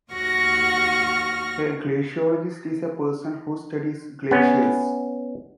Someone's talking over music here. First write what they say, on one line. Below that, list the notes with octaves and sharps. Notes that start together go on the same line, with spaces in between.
A glaciologist is a person who studies glaciers.
D#2 F#4 C#6 F6 A#6
B3 C#4